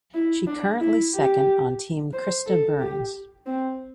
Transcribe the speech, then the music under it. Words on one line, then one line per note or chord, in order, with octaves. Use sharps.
She currently second on Team Krysta Burns.
E4
D4
E4
G4
C5
A4
G4
C4